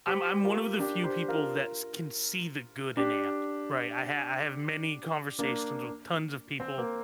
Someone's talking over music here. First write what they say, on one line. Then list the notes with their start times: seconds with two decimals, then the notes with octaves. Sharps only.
I'm I'm one of the few people that can see the good in AI, right? I have I have many conversations with tons of people,
0.07 G4 C5
0.43 F4 A#4
0.79 D4 G4
1.04 G4 C5
1.28 F4 A#4
2.97 D4 G4
5.39 A#3 D4
6.60 C4
6.78 A#3